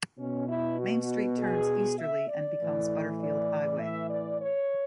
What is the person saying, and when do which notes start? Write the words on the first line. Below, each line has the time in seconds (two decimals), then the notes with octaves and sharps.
Main Street turns easterly and becomes Butterfield Highway.
0.18 B2 C#4
0.48 E4
0.79 F#4
1.39 G#4
1.99 E5
2.29 D5
2.59 A2 E3
3.20 D5
3.80 E5
4.10 D5
4.41 C#5